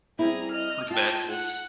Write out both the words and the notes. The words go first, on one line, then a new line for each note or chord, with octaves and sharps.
Quick matches.
G3 C4 E4 G#4 A#5
D#5 F6
F4 G5 A5
F#5